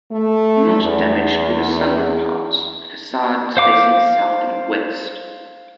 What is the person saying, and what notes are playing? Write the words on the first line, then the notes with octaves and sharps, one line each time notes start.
Most damaged were the sunlit parts, the facades facing south and west.
A3
E2
C5 F5 D6